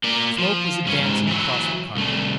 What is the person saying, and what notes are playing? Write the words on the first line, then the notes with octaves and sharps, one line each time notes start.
Smoke was advancing across the carpet.
A#3 D5
F3
G2 C#4
G#2 C3
E3 F#3
C2 A3